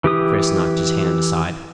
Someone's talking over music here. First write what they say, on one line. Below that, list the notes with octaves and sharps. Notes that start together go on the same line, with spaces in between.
Chris knocked his hand aside.
E3 G4 D#6